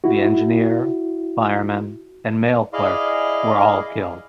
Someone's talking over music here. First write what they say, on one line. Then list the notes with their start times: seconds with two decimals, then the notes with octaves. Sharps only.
The engineer, fireman, and mail clerk were all killed.
0.04 E4 F#4
2.73 E4 G#4 D5 D#5 F5